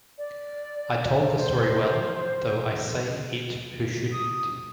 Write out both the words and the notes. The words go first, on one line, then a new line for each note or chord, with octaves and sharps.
I told the story well, though I say it who shouldn’t.
D5
C5
D#6